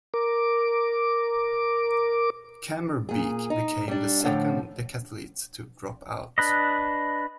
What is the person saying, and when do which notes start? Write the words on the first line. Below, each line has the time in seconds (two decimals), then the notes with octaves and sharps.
Kamerbeek became the second decathlete to drop out.
0.14 A#4 D6
3.09 A#2 G#4
3.50 D#4
3.88 G3 D4
4.24 A2 D3 F3
6.38 D4 B4 D#5